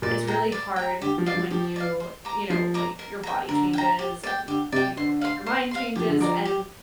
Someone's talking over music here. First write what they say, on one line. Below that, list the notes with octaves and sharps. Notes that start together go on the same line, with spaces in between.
it's really hard when you, you know, like, your body changes and you, just, like, your mind changes, and
A#2 D5
G5 A#5
D5
G5 A#5
D3 G4
F3
D5 F5
F3
F3 G4
D5 F5
C5
A#5 D6
F3 C5
A#5 D6
A#4
G5 A#5
D3 A#4
G5 A#5
G4
D5 G5
D3 G4
C3 D5 G5
D3 C5
F5 C6
C5
F5 C6
F3 G4
D3
F3 D5 A#5 D6
G4